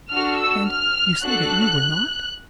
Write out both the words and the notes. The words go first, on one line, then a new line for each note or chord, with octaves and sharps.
"And--you say that you were not?"
D4 F#4 A4 F6
E6
F6
D4 F#4 A4 F#6